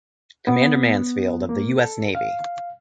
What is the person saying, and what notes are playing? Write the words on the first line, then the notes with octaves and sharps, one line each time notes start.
Commander Mansfield of the U. S. Navy.
B3
A#3
A4
F5